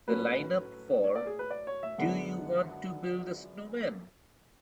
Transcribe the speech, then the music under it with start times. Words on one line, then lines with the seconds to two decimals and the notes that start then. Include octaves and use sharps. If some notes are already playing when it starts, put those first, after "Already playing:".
The lineup for Do You Want to Build a Snowman?
0.07 A2 F#3 A3 C#4 B4
1.04 C#5
1.15 D5
1.27 G#4
1.39 B4
1.50 D5
1.67 C#5
1.83 E5
1.98 F#2 D3 G#3 B3 D4 F#5